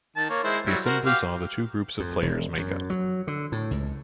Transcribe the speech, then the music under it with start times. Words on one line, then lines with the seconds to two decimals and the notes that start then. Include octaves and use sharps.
The assembly saw the two groups of players make up.
0.16 D#3 A5
0.30 A#3 C#5
0.44 G#3 E4 C5
0.66 F#3 G3 E4
0.86 F#4 A#4 C5
1.06 F#4 G4 F5
2.00 F2
2.22 E1
2.58 F#2
2.90 F#3
3.27 D3
3.52 A2
3.71 C#2